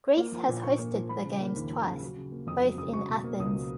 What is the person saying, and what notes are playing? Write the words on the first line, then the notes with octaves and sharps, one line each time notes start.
Greece has hosted the Games twice, both in Athens.
A#3
F3
A#2
A#2 C#6
A#3
F3
F3 B5
C#3
A#3
D#2
F3
C#3
F#3
C#3
A#3
F2 D#6
F#3
C#3 D#6
F#3 C#6
B2
A#3
C#2 D#6
F#3